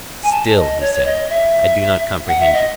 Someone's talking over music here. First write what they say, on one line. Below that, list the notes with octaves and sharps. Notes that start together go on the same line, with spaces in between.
Still, he said, I do not comprehend you.
G#5
A5
D#5
C#5
C#5
D#5
E5
F#5
E5
D#5